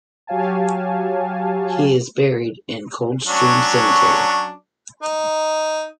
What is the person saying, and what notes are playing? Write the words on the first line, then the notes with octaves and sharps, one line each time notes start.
He is buried in Coldstream Cemetery.
F#3 G4 C#5 F5 G#5 A5
F#3 C#4 D4
D#4